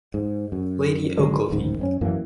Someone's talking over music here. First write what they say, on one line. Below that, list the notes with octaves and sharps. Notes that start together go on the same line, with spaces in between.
Lady Ogilvy.
G#2
F#2
G#1 D3 F#3 G#3
D1 A1 G#2 D#3
F#2 C4 C#4
F#2 E3 A#3